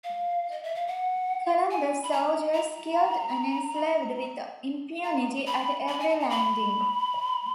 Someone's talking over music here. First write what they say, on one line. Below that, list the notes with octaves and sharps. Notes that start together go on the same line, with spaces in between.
Columbus's soldiers killed and enslaved with impunity at every landing.
F5
D#5
E5
F5
F#5
G#5
B5
A#5
A#5
A#5
B5
B5
G#5
A5
A#5
B5